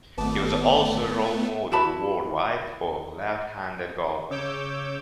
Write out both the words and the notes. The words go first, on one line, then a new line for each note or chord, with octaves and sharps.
He was also a role model worldwide for left-handed golfers.
G#1 A3 B3 A5 D6
E4 F#4 A5 B5
C#3 C#5 D6 E6 G6